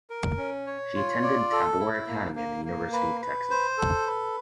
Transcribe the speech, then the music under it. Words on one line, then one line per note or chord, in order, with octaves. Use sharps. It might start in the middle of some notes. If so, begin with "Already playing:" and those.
She attended Tabor Academy and the University of Texas.
A#4
C#4
C#5
F4
D5
A4
E4
A#3
A#3
A#3
B4
B4
C5
A4
B4